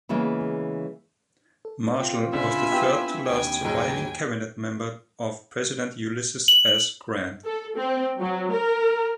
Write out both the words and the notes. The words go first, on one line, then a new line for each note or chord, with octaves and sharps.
Marshall was the third to last surviving cabinet member of President Ulysses S. Grant.
C#3 E3 G#3 A#3 B3
A4
C4 F4
C#2 D3 C4 D4 E5 G#5 B5
B3 E4 G4
D#2 G5 G#5
G#2 F#3 G#3
F#7
A4
C4
F#3
A#4